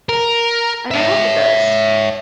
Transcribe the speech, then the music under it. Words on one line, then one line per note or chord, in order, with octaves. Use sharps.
and I hope it does,
A#4
C#5 E5